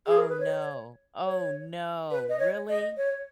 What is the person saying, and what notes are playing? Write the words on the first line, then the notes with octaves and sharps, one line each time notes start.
Oh, no. Oh, no, really?
G#4
A#4
B4
C#5
C#5
B4
D#5
C#5
D#5
C#5